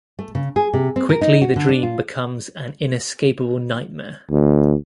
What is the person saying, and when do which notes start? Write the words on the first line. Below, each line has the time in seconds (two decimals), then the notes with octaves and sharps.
Quickly the dream becomes an inescapable nightmare.
0.19 A3
0.35 C#3
0.56 G#4
0.73 C3
0.96 C4
1.09 A#4
1.21 D#4
1.41 F#4
1.56 D3
1.69 D4
1.83 F4
4.31 D2